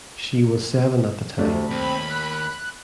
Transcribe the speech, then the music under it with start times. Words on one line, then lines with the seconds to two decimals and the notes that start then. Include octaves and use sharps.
She was seven at the time.
1.38 D2 C3 A3 D4
1.71 D#2 C4 B5
2.10 F#6